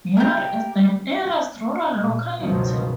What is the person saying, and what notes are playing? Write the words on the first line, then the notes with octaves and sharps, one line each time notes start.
Yar is the nearest rural locality.
G4 G#4 A#4
A#2
C#2 F#2 B2 D#3 F3 F#3